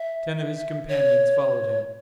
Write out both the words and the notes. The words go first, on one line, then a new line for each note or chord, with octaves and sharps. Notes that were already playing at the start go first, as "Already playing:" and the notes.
Ten of his companions followed him.
Already playing: E5
C#5